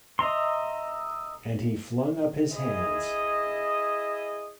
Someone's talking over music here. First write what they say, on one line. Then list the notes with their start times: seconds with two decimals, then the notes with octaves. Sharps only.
And he flung up his hands.
0.19 D#5 E5 A#5 C6
2.52 E4 G#4 D#5